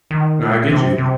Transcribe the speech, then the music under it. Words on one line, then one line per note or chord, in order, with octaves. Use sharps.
Nah, I get you.
D#3
A#2
C3
C3